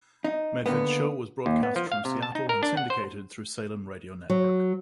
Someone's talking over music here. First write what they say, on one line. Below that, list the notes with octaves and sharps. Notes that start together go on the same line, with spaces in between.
Medved's show was broadcast from Seattle and syndicated through Salem Radio Network.
D#4
D3 D#3 A#3 B3
D#2
B3
F3
F5
C3
A5
D#4
A#4
D4
F#5
C5
F#3